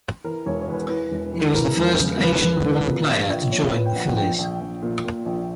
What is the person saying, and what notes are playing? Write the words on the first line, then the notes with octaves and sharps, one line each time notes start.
He was the first Asian-born player to join the Phillies.
E3 A#4
E1 C#5
C#5
E2 B4
E3
E1
E3
E3 A#4
E1
C#3
E1 B4
E1
E3
A#2 A#4
A#1
A#1
A#2 C#5
A#2 B4
G5
A#1 F#5
A#1 G5
A#1
A#1
A#2
A#2
A#1